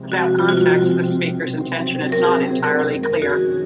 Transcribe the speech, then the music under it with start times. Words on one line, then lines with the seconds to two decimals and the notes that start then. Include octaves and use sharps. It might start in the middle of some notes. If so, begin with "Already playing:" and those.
Without context, the speaker's intention is not entirely clear.
Already playing: C3 F3 G#3 C4
0.12 F#4
0.39 F4
0.49 F#4
0.57 F4
1.45 C3 F#3 C4
2.12 A#4
2.24 G#4
2.64 A#4
3.03 F2 D#3 G#3 C#4 A#4
3.22 F#4
3.30 G#4